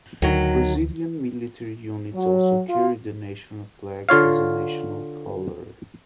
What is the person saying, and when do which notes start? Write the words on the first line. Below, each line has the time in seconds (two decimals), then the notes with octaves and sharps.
Brazilian military units also carry the national flag as a National Colour.
0.22 D2 D#3 F#3
2.14 F#3
2.68 F4
4.09 D3 F4 C#5 F5